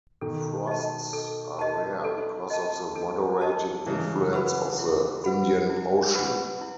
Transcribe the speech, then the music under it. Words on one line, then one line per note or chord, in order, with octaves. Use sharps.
Frosts are rare because of the moderating influence of the Indian Ocean.
B2 D#3 A4
D#5 A5
A4
D#5 A5
A4
D#5 A5
A4
D#5 A5
C#3 E3 E4
B4 F#5 B5
E4
B4 F#5 B5
E4
B4 F#5 B5
E4